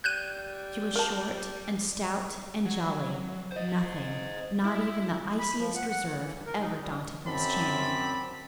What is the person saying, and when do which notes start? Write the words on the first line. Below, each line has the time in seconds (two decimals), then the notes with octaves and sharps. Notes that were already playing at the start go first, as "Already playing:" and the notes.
She was short and stout and jolly; nothing, not even the iciest reserve, ever daunted Miss Channing.
0.04 G3 F#6 G6 D#7
0.95 A#4 A5
2.65 F#3
3.52 C5 D#5
4.65 E4
5.39 B5
5.57 F3
5.75 F#5
5.89 F#5
6.05 D#3
6.19 E3
6.33 G2
6.46 A#4
6.60 D#4
6.80 G3
7.25 F#2 C4 D5 A5 B5